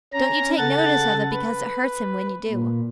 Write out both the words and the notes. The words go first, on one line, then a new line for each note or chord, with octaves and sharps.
Don't you take notice of it, because it hurts him when you do.
C#4 A#5
C#3 A4 F#5 A6
B4
A#2